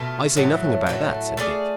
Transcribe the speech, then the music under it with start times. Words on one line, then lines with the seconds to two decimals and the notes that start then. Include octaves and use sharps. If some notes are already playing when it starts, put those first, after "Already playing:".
"I say nothing about that," said Dick.
Already playing: B2 A3 F4
0.36 A2 F#3 A3
0.87 A2 F#3 A3
1.37 A3 F4 G#4 D5